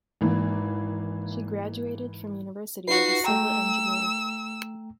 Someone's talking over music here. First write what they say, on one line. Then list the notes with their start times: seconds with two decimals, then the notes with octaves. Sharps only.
She graduated from university as a Civil Engineer.
0.21 G#1 E3 A#3
2.88 D#4 F4 F#4 B4 C7
3.25 A3 G5 A#5 E6